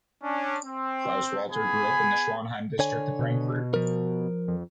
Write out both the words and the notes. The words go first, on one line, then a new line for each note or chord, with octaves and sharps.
Klaus Walter grew up in the Schwanheim district of Frankfurt.
C#4 D4
C4
B3 G#4 G#5 B5
D3 C#5 G#5
B2
F3 A#4
F2